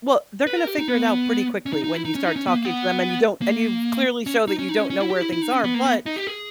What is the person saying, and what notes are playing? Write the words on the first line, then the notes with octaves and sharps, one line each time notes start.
Well, they're gonna figure it out pretty quickly when you start talking to them, and you don't and you've clearly show that you don't know where things are, but,
B4
A#4
G4
D#4
B3
C#4
D#4
D#4
E4
D#4
C#4
D#4
C#4
B3
A#3
B3
A#3
C#4
D#4
C#4
D#4
C#4
C#4
E4
G4
E4
E4
D#4
C#4
B3
A#3
B3
D#4
G4
G#4